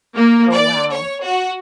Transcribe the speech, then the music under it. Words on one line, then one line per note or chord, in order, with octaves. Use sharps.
Oh, wow.
A#3
D5
C#5
F#4